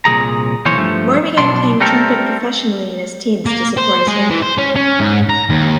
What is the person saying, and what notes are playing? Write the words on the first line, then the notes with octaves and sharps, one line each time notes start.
Roy began playing trumpet professionally in his teens to support his family.
C2 A#2 E3 G#4 A#5
B1 E3 A#3 C5 C#5
G2 F3 A3
B1 B2 D4 C6
G3 A3 C4 G4 A4 A#4
A#3
C5
G#3
E3
C5
C#4
C#4
G#2
A#5
D#2